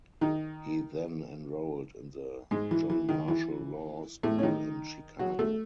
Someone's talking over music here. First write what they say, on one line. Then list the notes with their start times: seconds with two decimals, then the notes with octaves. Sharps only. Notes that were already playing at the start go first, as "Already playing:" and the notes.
He then enrolled in the John Marshall Law School in Chicago.
0.21 D#3 D#4
2.51 G#2 G#3
2.71 E3
2.90 E3
3.09 D#3
3.28 E3
4.23 A2 A3
4.39 C#4
4.43 D#3 D#4
5.19 F#3 F#4
5.39 A3 A4